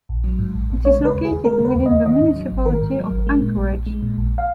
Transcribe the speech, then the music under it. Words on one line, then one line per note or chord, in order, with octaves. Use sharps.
It is located within the Municipality of Anchorage.
A#1
F#3
G#2
A#1
A#1
G#3 C#5
C#3
B4
D#2
G#4
D#2
G#3 A#4
C#3 B4
D#2
D#5
D#2
D#3 D#5
G#2
F#3
G#1
D#3 A#4
G#2
F#3
G#1
G#3
A#2
A#1
A#1
G#3
A#2
A#1
F5